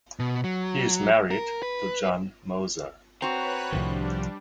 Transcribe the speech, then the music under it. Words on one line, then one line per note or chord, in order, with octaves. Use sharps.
He is married to Jan Moser.
B2
F#3
A#4
B4
C4 F#4 B4 C#5 A#5 F#6
C2 A2 D#3 F3 G3 D4